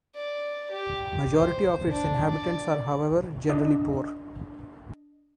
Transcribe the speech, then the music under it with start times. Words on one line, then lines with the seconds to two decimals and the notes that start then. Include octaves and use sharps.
Majority of it's inhabitants are however generally poor.
0.15 D5
0.71 G4
1.33 C5
1.91 D4
2.28 D5
3.49 D4 D#5